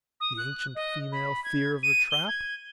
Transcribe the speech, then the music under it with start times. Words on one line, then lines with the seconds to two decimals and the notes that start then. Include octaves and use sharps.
The ancient female fear of the trap?
0.20 D#6
0.37 F#6
0.75 D#5
1.12 B5
1.44 G#6
1.83 D#7
2.11 G7
2.28 G#6